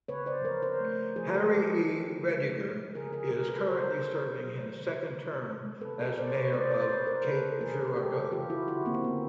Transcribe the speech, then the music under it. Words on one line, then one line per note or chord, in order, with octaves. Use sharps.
Harry E. Rediger is currently serving his second term as Mayor of Cape Girardeau.
C#3 B4 C#5
C5 D5
F3 A#4 C5
A#4 C5
A3
F3 G#4 A#4
G4 A4
G#3
F3
G#3
G#3
C#3 G#4 A#4
G#4 A#4
C#3 G#4 A#4
A4 B4
C#3 A#4 C5
C#3
F#3
D#3
C3
C3
C3 A4 B4
G#4 A#4
C3 C5 D5
B4 C#5
G3 C5 D5
C5 D5
C3 B4 C#5
A#4 C5
C#3 A4 B4
E3 G#4 A#4
C#3 G4 A4
E3 F4 G4
E4 F#4
D3 E4 F#4
A#3 C4
D3 B3